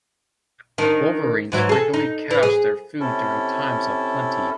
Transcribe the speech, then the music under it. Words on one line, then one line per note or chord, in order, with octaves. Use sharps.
Wolverines frequently cache their food during times of plenty.
D#3 D4
G#2 E3 F#3
G#4 A4
D#4
E3
G#4
C3 C#4 E4 A4